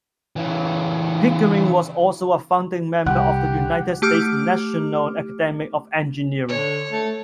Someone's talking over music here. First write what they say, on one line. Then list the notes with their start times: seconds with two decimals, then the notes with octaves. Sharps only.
Pickering was also a founding member of the United States National Academy of Engineering.
0.36 C#3 E3
3.06 C2 G4 F#5
4.02 A3 G4 D6 F6
6.48 D3 C#5
6.92 A3